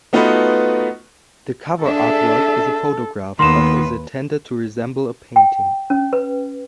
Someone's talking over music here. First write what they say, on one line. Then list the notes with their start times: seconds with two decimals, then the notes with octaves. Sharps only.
The cover artwork is a photograph, but is intended to resemble a painting.
0.13 A3 B3 D#4 F4 F#4 B4
1.84 D4 G#4 A4 E5
3.39 D#2 D#3 A#3 B3 B4 C6 E7
5.36 G5
5.90 C#4
6.13 B4